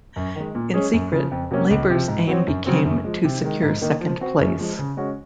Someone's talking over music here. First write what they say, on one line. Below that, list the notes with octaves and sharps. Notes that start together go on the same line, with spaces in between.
In secret, Labour's aim became to secure second place.
F#2
D#3 G#3
A#2
G#3 C#4 G#4
F#2
C#3 F3
F2
C3 F#3 A#3 C#4
C#2
C3 F3
G#2
F#3 C4 F#4 C#5
F#2
C#3 F#3 C4
F#2
F3 G#3
C3
D#3 G#3
G#2
D#3 A#3 D#4
F3
C4 F#4 C5
F#2
F3 G#3
C#3
G#3 C#4 F#4